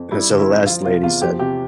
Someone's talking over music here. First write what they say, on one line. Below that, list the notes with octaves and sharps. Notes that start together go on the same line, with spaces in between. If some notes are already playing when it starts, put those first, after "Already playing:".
And so the last lady said
Already playing: F2
G3 E4
D3
E4
F2
F3 F4
C3 F4
E2 F4
F3 G4
C3 G4